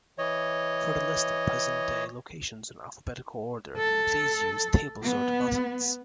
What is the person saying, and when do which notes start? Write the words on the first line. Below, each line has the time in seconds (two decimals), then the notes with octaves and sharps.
For the list of present-day locations in alphabetical order, please use table-sort buttons.
0.18 E3 C#5 D#5
3.77 A4
5.02 B3